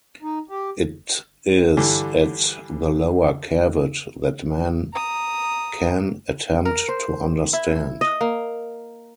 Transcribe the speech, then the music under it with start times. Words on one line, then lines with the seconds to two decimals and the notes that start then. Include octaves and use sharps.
It is at the lower Kavod that man can attempt to understand.
0.22 D#4
0.49 G4
1.77 G2 D3 E3
4.93 A#5 D#6
6.65 A#4
6.88 C5
7.53 E4
8.01 D#5
8.21 A#3